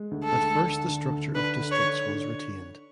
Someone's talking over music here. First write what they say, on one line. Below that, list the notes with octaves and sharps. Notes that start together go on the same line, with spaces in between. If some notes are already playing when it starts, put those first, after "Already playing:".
At first the structure of districts was retained.
Already playing: G#3
D2
A4
D2
D3
D3
D2
D4 B4
D3
C#5
D3
D4